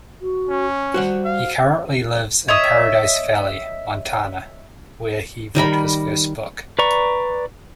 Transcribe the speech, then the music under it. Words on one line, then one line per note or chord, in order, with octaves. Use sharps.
He currently lives in Paradise Valley, Montana, where he wrote his first book.
F#4
C#4
G3 F#4 C5 F#5
F5
C#5 D#5 E5 D#6
D#3 G3 A#4 B5
B4 D5 A#5 C#6